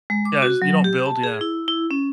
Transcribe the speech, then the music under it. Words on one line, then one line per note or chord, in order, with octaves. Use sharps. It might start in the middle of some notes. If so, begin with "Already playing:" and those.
Yeah, you don't build, yeah.
G#3
D6
F#4
F#3
G4
A5
G#4
E4
E4
C#4